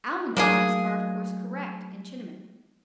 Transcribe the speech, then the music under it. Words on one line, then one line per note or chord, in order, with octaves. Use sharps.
Almond eyes are of course correct in Chinamen.
F#3 A3 A#3 D4 G#4